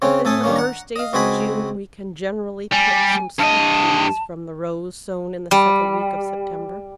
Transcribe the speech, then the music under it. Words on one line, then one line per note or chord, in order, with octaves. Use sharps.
Within the first days of June we can generally pick some Sweet Peas from the rows sown in the second week of September.
C#3 C4 C#4
A2 A3 A4 G#5 D#6
G2 D#3 A#3 C#4
F#5 A#5
D#5 F5
C#2 C4 F#4 D#5 G#5 B5
G3 G#5
G2 D#5 A5
G3